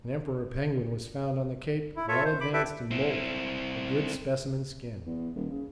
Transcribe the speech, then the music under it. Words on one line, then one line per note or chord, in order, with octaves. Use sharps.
An Emperor penguin was found on the Cape well advanced in moult, a good specimen skin.
E4
F4 A4 C#5 E5
C5
B5 D6
E4 G4 A4 B4 E5 D6
C4 E4
E2
D#1
C#3